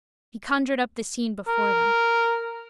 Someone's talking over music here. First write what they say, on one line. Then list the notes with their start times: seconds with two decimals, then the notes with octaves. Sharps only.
He conjured up the scene before them.
1.47 A#4